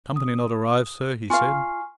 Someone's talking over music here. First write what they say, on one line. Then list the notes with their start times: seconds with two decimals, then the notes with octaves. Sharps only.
"Company not arrived, sir," he said.
0.16 D#6
1.30 F4 F5 G#5 C#6 F6